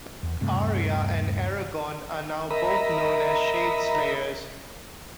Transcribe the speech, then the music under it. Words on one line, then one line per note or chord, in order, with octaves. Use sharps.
Arya and Eragon are now both known as Shadeslayers.
E2
D#1 G2 C3 A3
A#4 D#5 E5 A#5 B5